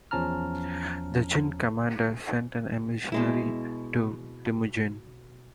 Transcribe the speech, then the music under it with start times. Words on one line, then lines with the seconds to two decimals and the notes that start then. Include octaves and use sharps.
The Jin commander sent an emissary to Timujin.
0.11 E2 F3 C#4 A5 A#5 F6
3.12 B2 G#3 E4